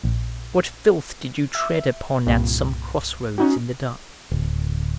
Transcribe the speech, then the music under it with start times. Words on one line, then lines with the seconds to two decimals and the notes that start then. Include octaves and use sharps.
What filth did you tread upon at some crossroads, in the dark?
0.04 A#1
1.53 E5 E6
2.26 C2 G2 A#2
3.38 C#4 D#4 F#4
4.31 D1